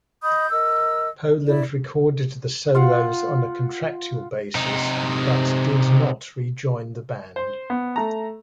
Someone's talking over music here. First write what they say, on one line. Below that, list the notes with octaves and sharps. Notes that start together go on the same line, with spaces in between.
Poland recorded the solos on a contractual basis, but did not re-join the band.
D#5 B5 D#6 G6
A#4 D#5 E6
E4 D5
F4 F5 F#5
C3 D#4
C5
B3
A3 A#5